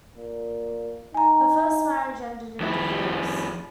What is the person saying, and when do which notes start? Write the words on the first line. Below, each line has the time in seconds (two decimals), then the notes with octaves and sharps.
Her first marriage ended in divorce.
0.16 A#2
1.14 D#4 G#5 A#5
2.60 F2 E4